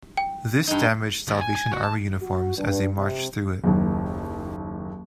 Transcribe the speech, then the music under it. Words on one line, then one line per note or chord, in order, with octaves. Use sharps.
This damaged Salvation Army uniforms as they marched through it.
G5
G2 D#4
D#2
G#5
G#5
F#4
A5
F#4
G2
C3
F#1 D#2